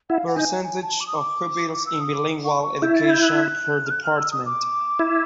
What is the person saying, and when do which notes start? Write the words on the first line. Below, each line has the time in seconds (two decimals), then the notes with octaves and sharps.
Percentage of pupils in bilingual education per department.
0.10 E4 F#5
0.18 F5
0.27 F#5
0.36 D#4 G#5
0.64 G#5
0.82 A5
1.00 D6
1.07 D#6
1.15 D6
1.73 D6
1.86 E6
2.00 D#6
2.14 D6
2.45 C#6
2.63 C#6
2.82 E4 G6
2.95 A6
3.10 G6
3.22 F#6
3.86 F6
3.91 F#6
4.05 F6
4.18 E6
4.32 D#6
4.46 D6
4.99 E4